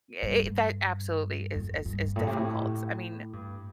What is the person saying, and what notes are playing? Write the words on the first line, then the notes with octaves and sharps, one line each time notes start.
it it that absolutely is is is difficult, I mean,
G2
F2
G2
A2
C3
A2
G2